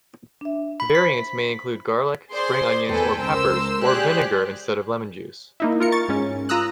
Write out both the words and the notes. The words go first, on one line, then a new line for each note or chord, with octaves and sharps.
Variants may include garlic, spring onions, or peppers, or vinegar instead of lemon juice.
D4 E5
B5
C5 B6
G#4 C5 D5 C6
E2 A4 B4 G5 G#5
C#2 A#4 C5 E6
G4 G#4 C5 D5 F#6
A#3 D#4 E4
F4 A#4 C#7
C#6 A6
G#2 C#4
F4 A#5 D#6 E6 F#6